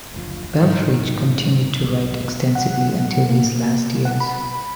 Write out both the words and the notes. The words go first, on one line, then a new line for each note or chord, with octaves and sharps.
Belfrage continued to write extensively until his last years.
F#1 D2 F3
A1 G#2 D#3
B1 G3
F#5
A#3
F#5
B5